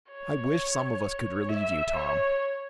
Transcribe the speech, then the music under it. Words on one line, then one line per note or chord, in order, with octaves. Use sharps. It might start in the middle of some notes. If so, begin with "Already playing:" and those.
"I wish some of us could relieve you, Tom."
C#5
E5
C#5